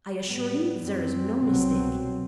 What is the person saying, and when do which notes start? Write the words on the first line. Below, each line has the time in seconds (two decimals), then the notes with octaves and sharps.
I assure you there is no mistake. . . .
0.25 A2 G3 B3
0.83 F#2 F#3 C4
1.41 C2 B2 F#3 C4